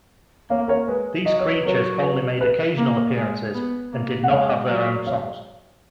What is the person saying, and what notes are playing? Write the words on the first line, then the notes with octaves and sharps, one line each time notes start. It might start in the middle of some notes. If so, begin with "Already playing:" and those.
These creatures only made occasional appearances and did not have their own songs.
A#3 C#5 F5
A#4 C#5
G#3 B4
F#3 D#5
C#5
B4
F#3 A#4 C#5
B4
B4
A#3
G#3
B3
A#3
F#5
G#3 C#5 F5
F#3
C#5 F5